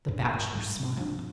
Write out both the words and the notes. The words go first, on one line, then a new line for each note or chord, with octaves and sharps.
The Bachelor smiled.
G2
G#2 G3
F3 D4